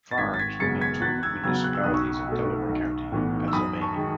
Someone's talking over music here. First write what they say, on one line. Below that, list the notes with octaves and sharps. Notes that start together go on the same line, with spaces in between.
Farms, within two municipalities in Delaware County, Pennsylvania.
A6
G#1 G#6 B6
A6
G#6 B6
F#2 C#3 G#3 B3 A6 C#7
G#6 B6
E2 F#6 A6
E6 G#6
C#3 F#3 B3 E6 G#6
F#6
E6
B1 D#6
C#6 E6
B2 A3
B1
A2 E3 B3
E6
F#2 B5 D#6
A5 C#6
D#3 G#3